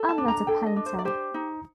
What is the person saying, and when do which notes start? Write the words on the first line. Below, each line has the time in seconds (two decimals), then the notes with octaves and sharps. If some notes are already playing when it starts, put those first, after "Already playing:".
I'm not a painter.
Already playing: A4
0.09 A5
0.18 D4
0.28 A#5
0.47 A4 G5
0.66 D#5
0.76 D4
0.86 C5
0.99 D5
1.05 G4 C5
1.34 D#4